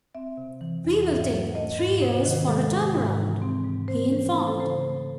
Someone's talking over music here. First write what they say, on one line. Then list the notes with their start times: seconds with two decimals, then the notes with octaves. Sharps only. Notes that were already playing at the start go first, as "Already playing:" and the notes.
"We will take three years for a turnaround," he informed.
0.15 C4 E5
0.37 C3
0.61 E3
0.85 E2
1.07 G#2 E5
1.31 F#3
1.54 A3 D#5
1.79 G#2
2.02 C3 C5
2.25 D#3
2.48 G#3 A4
2.71 C3
2.95 G#2
3.18 E3
3.42 C4
3.65 G#2
3.88 C4 C5
4.12 E3
4.35 A3 C5
4.47 A4
4.59 C#3 C5
4.82 A3 A4